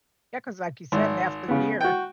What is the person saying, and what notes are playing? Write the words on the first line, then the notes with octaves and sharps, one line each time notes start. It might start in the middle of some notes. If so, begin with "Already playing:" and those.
Yeah, 'cause like you said, half the year,
G#1
C#3 B3
F#4 G5